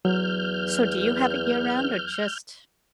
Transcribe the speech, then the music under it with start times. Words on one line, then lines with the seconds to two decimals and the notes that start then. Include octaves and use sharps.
so do you have it year round, or just
0.05 E2 F#3 F6 G6